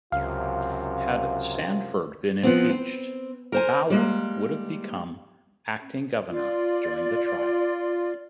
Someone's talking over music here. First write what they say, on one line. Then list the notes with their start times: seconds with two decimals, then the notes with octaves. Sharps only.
Had Sanford been impeached, Bauer would have become acting governor during the trial.
0.12 C#2 F#2 C3 F4 F5
2.43 F3 B3 C4
2.69 C4
3.52 A#4 C5 G#5
3.90 G3 G#3 A#3
6.31 F4 D5